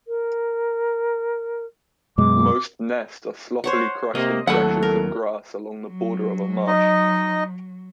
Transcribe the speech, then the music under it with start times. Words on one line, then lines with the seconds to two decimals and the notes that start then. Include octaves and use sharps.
Most nest are sloppily crushed impressions of grass along the border of a marsh.
0.08 A#4
2.18 F#2 B2 G#3 D6
3.64 C5 C#5 F#5
4.15 C3 A#3 D#5
4.47 D#2 F#3 A3 E4 A4 F#5
4.83 A#4
5.89 F#3
6.67 D#4 D#5